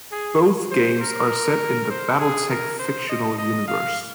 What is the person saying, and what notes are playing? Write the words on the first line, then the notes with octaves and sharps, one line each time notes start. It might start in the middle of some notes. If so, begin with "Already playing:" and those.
Both games are set in the BattleTech fictional universe.
G#4
C5
A#4
C5
G#4
A#4
C5
D#5
D#5
F5